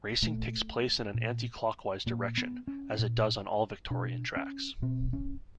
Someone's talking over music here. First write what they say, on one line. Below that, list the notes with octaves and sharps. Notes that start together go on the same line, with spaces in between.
Racing takes place in an anti-clockwise direction, as it does on all Victorian tracks.
A#2 A3
A#2
A#2 A#3
B3
C#4
A#2
B2 D4
C#4
B2 C4
C#4